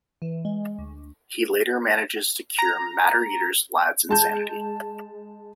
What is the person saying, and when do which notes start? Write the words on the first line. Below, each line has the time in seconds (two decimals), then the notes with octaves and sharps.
He later manages to cure Matter-Eater Lad's insanity.
0.22 E3
0.45 G#3
0.79 D2
2.59 A#5
4.09 G#3 A5 G6